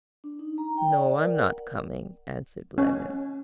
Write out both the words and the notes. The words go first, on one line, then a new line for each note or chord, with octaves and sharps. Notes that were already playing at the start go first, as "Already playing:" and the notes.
"No, I'm not coming," answered Levin.
D4
D#4
A#5
G5
D5
A#4
F#5
C#4